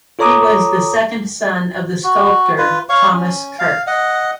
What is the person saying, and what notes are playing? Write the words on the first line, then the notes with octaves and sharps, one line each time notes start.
He was the second son of the sculptor Thomas Kirk.
F4 A4 C#5 A#5 D6 D#6
F#4
F4 B4
C#5 F5 C#6
C#4
F5
D#5 F#5